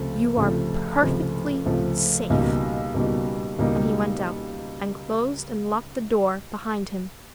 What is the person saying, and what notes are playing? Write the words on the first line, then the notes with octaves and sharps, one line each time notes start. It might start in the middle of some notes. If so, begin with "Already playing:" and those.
"You are perfectly safe," and he went out, and closed and locked the door behind him.
Already playing: C#2 C3 F3 A3
C#2 C3 F3 A3
C#2 C3 F3 A3
C#2 C3 F3 A3
C#2 B2 G3 A#3 D#4
C#2 B2 G3 A#3 D#4
C#2 B2 G3 A#3 D#4